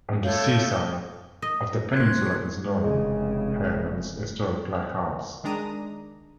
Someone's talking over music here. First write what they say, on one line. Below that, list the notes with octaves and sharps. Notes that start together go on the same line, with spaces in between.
On the sea side of the peninsula is Norah Head and its historic lighthouse.
A2 A3 A4 C#5 F5 G6
D#5
C5 F#6 G#6
F1 C#3 G#3
D#3 G#3 D4 A#5 D#6 D#7